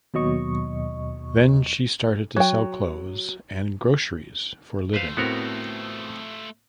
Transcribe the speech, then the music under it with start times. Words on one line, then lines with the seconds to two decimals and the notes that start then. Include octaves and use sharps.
Then she started to sell clothes and groceries for living.
0.14 D#2 B2 F#3 D#5 C#6
2.37 F#3 G5
4.94 A3 F4 B4 C5 F5
5.17 A2 B3 C4 F#4 A#4